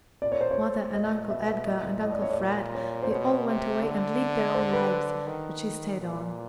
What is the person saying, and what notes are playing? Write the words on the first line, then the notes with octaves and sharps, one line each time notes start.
Mother and Uncle Edgar and Uncle Fred--they all went away and lived their own lives, but she stayed on.
A#2 D5
C#5
C5
C#5
A#2 D#5
B2 E5
E5
A#2 D#5
A2 D#5
D5
C#5
D5
A#2
C#5
C5
B2 C#5
C3
D3
C5
B4
D#3
A#2